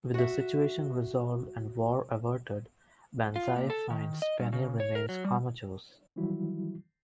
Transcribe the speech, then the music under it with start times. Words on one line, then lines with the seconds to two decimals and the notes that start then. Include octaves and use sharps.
With the situation resolved and war averted, Banzai finds Penny remains comatose.
0.14 F#4 E5
3.36 F4
3.56 A#2
3.70 A4
3.90 D#3
4.22 D#5
4.40 G2
4.53 C#3
4.80 C#5
4.95 A#4
5.09 F#3
5.25 G3
6.16 D#3 E3 F#3 G3 E4 F#4